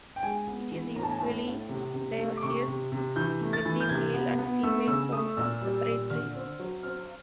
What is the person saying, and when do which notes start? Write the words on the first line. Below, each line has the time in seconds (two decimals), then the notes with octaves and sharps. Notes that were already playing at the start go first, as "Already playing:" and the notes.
It is usually dioecious, with the male and female cones on separate trees.
0.16 G5
0.23 G#3 G#5
0.47 B3
0.72 E3
0.96 A2 A#5
1.03 A5
1.11 G#5
1.19 A2 A5
1.45 A2
1.69 C3
1.94 C3
2.18 A3
2.37 D6
2.43 C3 C#6
2.67 C3
2.92 C3
3.16 E3 G6
3.41 A3
3.53 A6
3.65 E3
3.80 G6
3.89 C3 G#6
4.14 B3
4.39 B3
4.63 A3 E6
4.87 C#3 E6
5.12 A3 D#6
5.37 A#2 E6
5.61 G3
5.86 A#2
6.10 D3 F6
6.35 C4
6.59 F#3
6.83 C4 F6